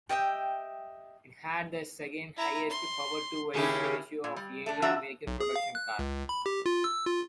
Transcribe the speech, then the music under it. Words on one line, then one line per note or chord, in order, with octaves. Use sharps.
It had the second highest power-to-weight ratio of any American production car.
G4 D#5 E5 G5
E4 A#5
C6
D#2 C#3 E4 G4 G#4
A#2
G3
A3 D4
F3 D4 F#4 E5 A#5
B1
G#4
F5
F#6
C#2
B5
G4
F4
E6
F4